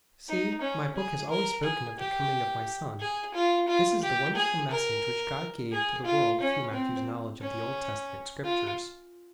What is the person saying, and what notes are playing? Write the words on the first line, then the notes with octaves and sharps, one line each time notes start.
'See, My Book has always spoken of the coming of My Son.' This is the wonderful message which God gave to the world through Matthew's knowledge of the Old Testament Scriptures.
D#4
C#4
G#4
A#4
G#4
G4
G#4
F4
F4
G4
G#4
A#4
G#4
F4
C#4
C4
C#4
F4